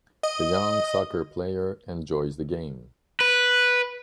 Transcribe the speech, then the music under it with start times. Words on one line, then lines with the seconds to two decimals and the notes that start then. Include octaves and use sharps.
The young soccer player enjoys the game.
0.23 D#5
3.21 B4